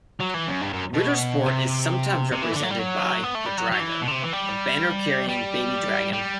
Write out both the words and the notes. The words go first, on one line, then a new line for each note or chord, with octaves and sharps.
Ritter Sport is sometimes represented by "Quadrago", a banner-carrying baby dragon.
F#3
E3
F#2
G2
F#2
B2
C3
C3
E3
D3
F#3
G3
F#3
B3
A3
G3
F#3
F#3
E3
B2
D3
C3
E3
G3
G3
G3